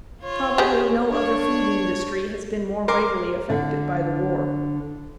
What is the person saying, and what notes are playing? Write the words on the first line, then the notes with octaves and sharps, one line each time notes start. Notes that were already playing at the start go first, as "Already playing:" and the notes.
Probably no other food industry has been more vitally affected by the war.
F4 C#5
G4 G#4
D4 C#5 C#6
A#4 C6 D6
D3